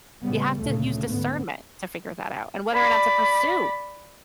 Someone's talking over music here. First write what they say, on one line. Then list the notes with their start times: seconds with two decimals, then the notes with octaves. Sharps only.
You have to use discernment to figure that out and whether or not to pursue
0.22 A2 C#3 G3 B3
0.60 D2 A#2 C#3 A3
1.08 G#2 D3 B3
2.73 D5 B5